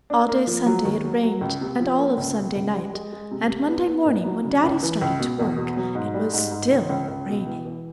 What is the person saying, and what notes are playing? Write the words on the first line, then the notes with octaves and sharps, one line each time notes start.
All day Sunday it rained and all of Sunday night, and Monday morning when Daddy started to work it was still raining.
D4
A#3
F3
F#3
D#2
F#3
F#3
C#2
C3
F3
A#3
C#2
B2
C#2
G3
G#3
G#3
C3
C3
B3
B3
A#2
F#3
C#3
C#2
E3
C#2
B2
E2
B2
F#3
G#2
G3
G#2
G#2
C#2
C#2
C#2
B2
E3
E3